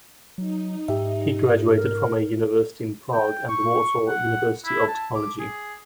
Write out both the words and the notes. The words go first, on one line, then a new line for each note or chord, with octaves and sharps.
He graduated from a university in Prague and the Warsaw University of Technology.
F#3 D#4
G#2 G4 E5
A#4
G5
C#6
F#5
E4
A5
D6
G#4